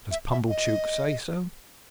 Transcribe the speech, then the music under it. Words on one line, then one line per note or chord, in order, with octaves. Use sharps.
"Does Pumblechook say so?"
E5
E5
D#5